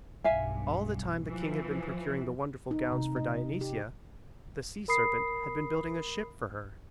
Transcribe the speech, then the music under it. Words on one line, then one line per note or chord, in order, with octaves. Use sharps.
All the time the king had been procuring the wonderful gowns for Dionysia the sea serpent had been building a ship for her.
B1 G2 E5 F5 G#5
E3 F3
D#4
C3
D#5
G4
A#4 B5 D#6 C7